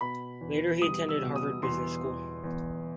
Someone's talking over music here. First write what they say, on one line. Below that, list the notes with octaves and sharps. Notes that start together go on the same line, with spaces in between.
Later he attended Harvard Business School.
B2 B5
E2
G3 D#6
E6
B2
D#6
E2 C6
E2
E2